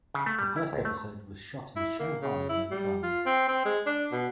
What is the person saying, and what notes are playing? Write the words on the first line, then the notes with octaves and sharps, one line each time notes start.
The first episode was shot in Shanghai near The Bund.
C#3
A3
G3
E4
C#2
A3
E4
A#3
C#3
E4
G3
F4
C4
C4
G#3
D4
B2